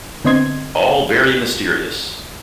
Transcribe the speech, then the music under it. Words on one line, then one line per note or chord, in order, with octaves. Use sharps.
All very mysterious!
D3 B3 C4 D#5 C6 G#6